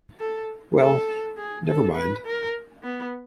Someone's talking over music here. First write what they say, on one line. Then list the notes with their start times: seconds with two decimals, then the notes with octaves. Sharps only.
Well, never mind.
0.20 A4
0.79 A4
1.37 G#4
1.66 A4
1.95 B4
2.26 A#4
2.83 B3